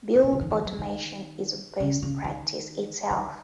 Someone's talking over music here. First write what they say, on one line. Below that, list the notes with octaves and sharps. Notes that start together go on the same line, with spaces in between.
Build automation is a best practice itself.
A2
B2
C#3
D#3
E3
F#3
D#3
C#3
C#3
D#3
D#3